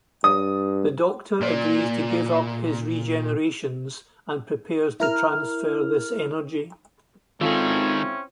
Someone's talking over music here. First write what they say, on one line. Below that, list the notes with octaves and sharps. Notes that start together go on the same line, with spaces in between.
The Doctor agrees to give up his regenerations and prepares to transfer this energy.
G2 D#6
A#2 D5
E4 A#4 F6
G#1 D#3 C4 C#4 E4 F4 G#4 A4